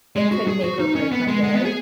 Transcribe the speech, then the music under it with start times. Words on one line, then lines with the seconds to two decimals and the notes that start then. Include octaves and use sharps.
it could make or break my day.
0.16 G#3
0.32 F#4
0.48 G#4
0.64 F#4
0.79 D#4
0.95 C#4
1.12 B3
1.27 G#3
1.43 G#3
1.54 B3
1.65 G#4